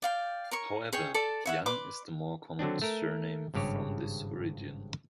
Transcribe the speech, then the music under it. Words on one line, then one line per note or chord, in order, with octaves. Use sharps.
However, Young is the more common surname from this origin.
D5 F5 G5
A#4 C#5 C#6
G#4 C#5 G5
A4 D5 A5
C#5 E5 F#5
B4 D5 C6 D6
D3 F#3 C4 D4
A3 A#4
G#1 G2 C#3 G4 C#5